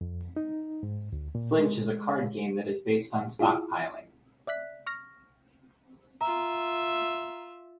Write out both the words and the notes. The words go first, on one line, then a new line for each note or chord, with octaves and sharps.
Flinch is a card game that is based on stockpiling.
F2
D#4
G#2
D2
A#2
G#3
E4 F4 G#4
D5 E5 F#6 B6
C#6 F6 A#6
F4 E5 A#5